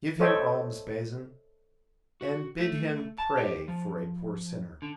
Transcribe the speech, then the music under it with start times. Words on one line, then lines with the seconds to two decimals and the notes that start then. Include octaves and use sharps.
"Give him alms, Bazin, and bid him pray for a poor sinner."
0.20 A4 C5 C#5 D#5 E5 G5
2.21 F#4
2.60 A3
3.18 A5
3.37 G4
3.68 F3
4.82 D3